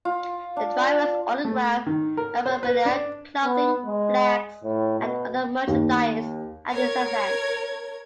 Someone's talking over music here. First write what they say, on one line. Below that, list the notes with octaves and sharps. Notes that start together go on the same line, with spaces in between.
The drivers autograph memorabilia, clothing, flags and other merchandise at these events.
F4
D4
A3
D#3
A#4
C5
B4
D4
B3
G#3
A2
B2
D#2
A#4 C#5 G#6